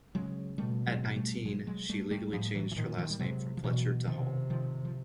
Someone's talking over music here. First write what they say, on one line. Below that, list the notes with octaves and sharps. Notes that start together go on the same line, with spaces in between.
At nineteen, she legally changed her last name from Fletcher to Hall.
C#3 F#3 G#3
B2 G3 A3
F#3 G#3
G3 A3
F#3 G#3
F#3 G#3
G3 A3
G3 A3
A2 F3 G3
E3 F#3
E3
A#2 D#3 F3
D#3 F3
G3
C3 F#3 G#3
F3
B2 E3 F#3
C3 D#3 F3
D#3 F3
F3